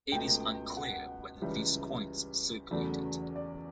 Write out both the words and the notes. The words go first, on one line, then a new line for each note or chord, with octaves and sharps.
It is unclear whether these coins circulated.
C#2 B2 A3 G5
F#5
C#2 C#3 E3 G3 E5
E2 C#3 F#3 A3 D5
D5